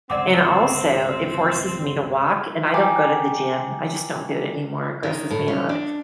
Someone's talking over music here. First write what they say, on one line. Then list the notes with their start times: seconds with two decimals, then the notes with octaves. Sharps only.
and, also, it forces me to walk, and I don't go to the gym, I just don't do it anymore, it grosses me out,
0.10 G1 C#2 D3 C4 D5 F#5 D6
2.74 G5 G#5 A#5 D6
5.03 D#3
5.31 A2
5.48 C#4
5.69 D4